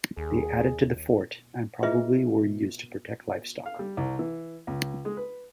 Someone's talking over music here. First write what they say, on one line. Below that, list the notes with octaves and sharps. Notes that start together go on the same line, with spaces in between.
They added to the fort and probably were used to protect livestock.
D#2 G#4
E4 F4 G#4 B4 D#5 E5
F5
G3
C2
E3
C#2
G#3
B4